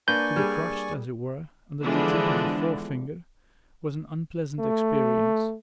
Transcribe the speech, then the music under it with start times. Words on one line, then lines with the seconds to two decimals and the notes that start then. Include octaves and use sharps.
To be crushed, as it were, under the tip of a forefinger was an unpleasant experience.
0.08 A#3 D4 B4 D5 G#5 C#6 G6
0.36 G3 G#4
1.83 D3 E3 F3 G#3 B3 D4
4.60 A3